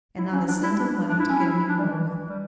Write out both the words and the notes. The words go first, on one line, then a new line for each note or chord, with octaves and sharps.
And not a cent of money to get any more with!
E4
C#4
D4
E4
D4
D4
D4
E4
C#4
E4
D4
G3
E3
G3